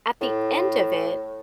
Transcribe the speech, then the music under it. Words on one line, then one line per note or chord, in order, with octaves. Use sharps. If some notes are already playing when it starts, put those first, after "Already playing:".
at the end of it,
A2